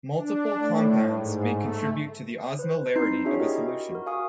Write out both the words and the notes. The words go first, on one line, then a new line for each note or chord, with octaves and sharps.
Multiple compounds may contribute to the osmolarity of a solution.
D4
A2
G#2
A3
B4 C5
C4 D#4 E4 C6 G6 C7
D4 E4 F#4 G#4 C#5 E5
E4 F#4 G4 A#4 D#5
F#4 A#4
F5 G#5 C#6 D#6